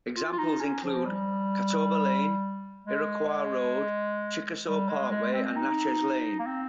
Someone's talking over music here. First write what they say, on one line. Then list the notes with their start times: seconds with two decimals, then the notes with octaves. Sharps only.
Examples include Catawba Lane, Iroquois Road, Chickasaw Parkway, and Natchez Lane.
0.16 F4
0.32 F4
0.38 D#4
0.61 C#4
0.84 F3
1.06 G3
2.86 G#3
4.67 G3
4.89 G#3
5.11 G#3
5.34 C4
5.56 D#4
6.40 A#3
6.46 C4